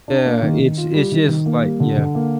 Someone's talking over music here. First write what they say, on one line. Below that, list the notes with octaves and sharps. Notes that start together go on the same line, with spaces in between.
Yeah, it's it's just, like yeah.
D4
A#3
D#3
D#3
F4
G3
D#3
D#3
A#3
G3
D3
D3
A#3